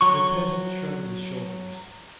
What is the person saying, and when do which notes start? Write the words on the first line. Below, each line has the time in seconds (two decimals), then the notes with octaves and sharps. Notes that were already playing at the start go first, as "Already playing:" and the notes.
The peasant shrugged his shoulders.
0.01 F#3 C#6